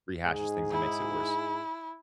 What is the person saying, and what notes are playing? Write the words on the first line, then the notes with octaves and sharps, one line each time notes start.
rehashes things and makes it worse.
G#2 D#4 G#4
E4